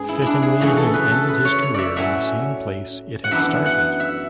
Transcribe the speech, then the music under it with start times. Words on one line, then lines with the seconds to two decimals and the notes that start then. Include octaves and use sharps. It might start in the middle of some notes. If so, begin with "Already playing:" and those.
Fittingly, he ended his career in the same place it had started.
Already playing: G#2 C#4 G#4 B4
0.09 E4
0.22 D4 E4
0.42 G#4
0.60 F#2 C#3 E3 A3 C#4 G#4
0.70 G#4
0.77 A4
0.94 B4
1.11 A4
1.28 B4
1.45 C#5
1.63 C#5
1.74 D5 E5
1.96 A2 F#3 C#4 E5
3.24 F#5
3.31 F#2 E3 B3 D4 E5
3.66 F#5
4.00 E5